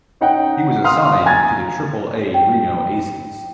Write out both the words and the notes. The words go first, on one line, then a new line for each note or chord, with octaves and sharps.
He was assigned to the Triple-A Reno Aces.
C#4 D#4 F#5 G5
F5 C6 D#6 F6
G#5 A#5 G#6 A6
G5